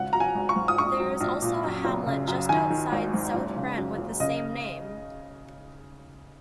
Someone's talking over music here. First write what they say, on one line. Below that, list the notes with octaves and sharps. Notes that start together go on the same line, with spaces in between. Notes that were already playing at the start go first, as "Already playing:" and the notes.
There is also a hamlet just outside South Brent with the same name.
Already playing: G#1 C#3 F#5
F#3 A#5
G#5
G#1
C#6
G#2
D#6
A#1 C#6
F#3
A#1
A#2
F#2
F#1
C#3
F#2
D#3 G#5
D#3
G#1
G#2
F#1
C#3
F#2
F#1
C#3 D#5